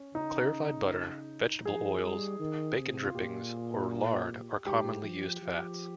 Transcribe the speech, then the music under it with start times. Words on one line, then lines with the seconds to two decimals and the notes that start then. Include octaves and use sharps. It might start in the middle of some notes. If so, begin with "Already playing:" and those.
Clarified butter, vegetable oils, bacon drippings or lard are commonly used fats.
Already playing: C#4
0.14 C#3 D#4
1.65 F3 G#4
2.02 G3
2.40 D#3
2.78 C3
3.04 F4
3.15 A#2 G4
4.65 G#2 G4
5.03 F3
5.42 F3